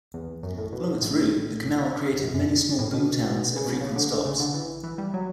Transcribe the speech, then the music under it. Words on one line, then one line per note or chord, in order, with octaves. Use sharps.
Along its route, the canal created many small boomtowns at frequent stops.
E2
F#2
A2
B2
A2
F#2
F#2
A2
B2
C#3
B2
C#3
D3
D3
C#3
D3
E3
E3
G3
F#3